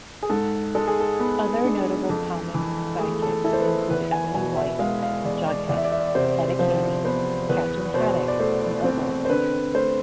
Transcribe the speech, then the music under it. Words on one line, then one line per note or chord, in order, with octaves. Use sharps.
Other notable comics sidekicks include Ebony White, Jughead, Etta Candy, Captain Haddock, and Obelix.
G#4
G#2 A4
G#3 A4
G#4
A4
B3
D4
F2
E3
A3 G#4
A4
E4 A4
C5
B4
A4
E2 B4
G#5
B2 G#5
E5
G#3 F5
F5
E2 D5
D5
E2 D5
E5
D5
E5
D5
C3 C5
F3 C5
B3 C5
E2 B4
B2 C5
D5
A3 C5
C4
C5
D3 B4
A3 C5